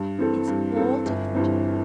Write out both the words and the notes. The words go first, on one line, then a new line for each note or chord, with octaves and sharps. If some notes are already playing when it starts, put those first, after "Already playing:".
It's all different.
Already playing: G2
E3 C4 A4
G2
E3 C4 A4
G1
G2 E3 C4